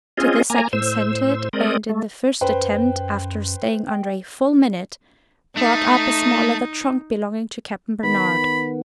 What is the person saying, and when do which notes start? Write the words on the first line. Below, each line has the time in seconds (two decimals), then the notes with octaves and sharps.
To this I consented, and, in the first attempt, after staying under a full minute, brought up a small leather trunk belonging to Captain Barnard.
0.18 C4 C#4 F4 G#4 D#5
0.50 A#3 G#5 A#5
0.73 A2 C5 E6
1.53 G#3 C4 A#4 D5 D#6
1.89 A3
2.41 F#2 B4 C5 G5
3.88 G5
5.57 A3 D#4
8.03 D#3 B3 B5